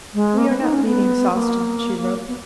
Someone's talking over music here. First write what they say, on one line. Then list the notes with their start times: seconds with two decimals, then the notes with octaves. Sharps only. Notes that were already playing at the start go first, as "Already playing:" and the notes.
"We are not leaving Sawston," she wrote.
0.14 G#3
0.38 A#3
0.49 B3
0.61 D#4
0.73 C#4
0.85 B3
1.33 A#3
2.28 B3